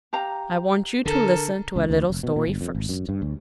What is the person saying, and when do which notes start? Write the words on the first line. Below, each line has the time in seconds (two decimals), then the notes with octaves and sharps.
"I want you to listen to a little story first."
0.13 G4 F5 A#5
1.06 D3 A4 A#4
1.76 C#2
1.90 D2
2.10 F1
2.23 B2
2.36 A#2
2.48 G1
2.61 F2
2.75 G#1
2.89 F#2
3.09 G2
3.22 D2